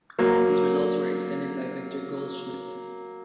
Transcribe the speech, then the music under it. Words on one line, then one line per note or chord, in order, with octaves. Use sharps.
These results were extended by Victor Goldschmidt.
F#3 A#3